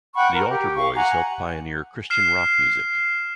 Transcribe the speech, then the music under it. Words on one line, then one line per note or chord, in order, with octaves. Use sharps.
The Altar Boys helped pioneer Christian rock music.
F#5 G5 B5 C#6
A#4
G4
F5 C#6
F#5 G#5 A#5
F6 C7 E7